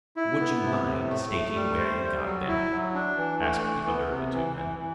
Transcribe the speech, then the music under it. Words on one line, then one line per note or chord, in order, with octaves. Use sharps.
"Would you mind stating where you got them?" asked the other of the two men.
E4
B3
C3
A2
A3
A3
G3
C5
G3
F#3
E4
F#3
D4
E3
A3
E3
B3
C3
E3
E3
E3